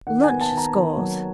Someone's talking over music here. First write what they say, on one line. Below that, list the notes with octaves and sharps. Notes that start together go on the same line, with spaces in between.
Lunch scores.
D#3 F#5
G#5
B3
A5
D#3
A#5
D#3
F#3